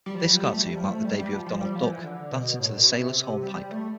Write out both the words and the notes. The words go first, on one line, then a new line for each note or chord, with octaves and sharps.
This cartoon marked the debut of Donald Duck, dancing to the Sailor's Hornpipe.
G3
F3
G3
F3
G3
A3
G3
F3
A3
G3
G3
F3
F3
G3
F3
E3
D3
B2
A2
B2
C3
G3
A3